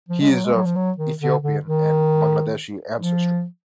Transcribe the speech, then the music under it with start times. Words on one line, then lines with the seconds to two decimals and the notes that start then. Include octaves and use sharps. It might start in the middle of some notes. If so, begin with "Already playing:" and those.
He is of Ethiopian and Bangladeshi ancestry.
0.09 F3
0.22 G#3
0.31 F#3
0.45 G#3
0.54 F#3
0.65 F3
0.76 F#3
0.98 D#3
1.20 D3
1.42 D3
1.65 D#3
2.98 F3